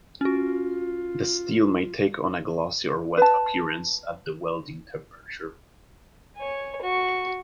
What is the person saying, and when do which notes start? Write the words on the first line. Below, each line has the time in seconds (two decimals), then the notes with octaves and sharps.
The steel may take on a glossy or wet appearance at the welding temperature.
0.21 C#4 F4 F#4
3.17 B4 A5
6.37 C#5 G#5
6.82 F#4 C#6